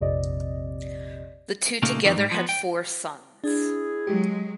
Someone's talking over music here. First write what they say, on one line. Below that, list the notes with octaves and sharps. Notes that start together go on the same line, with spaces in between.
The two together had four sons.
A#1 F2 C3 D5 D#5
A#2 C#3 A3 A#3 D#4
F2 D#3 E3
G#2 G3
F3 B3
G5
D4 E4 G#4
F#3 G#3 G4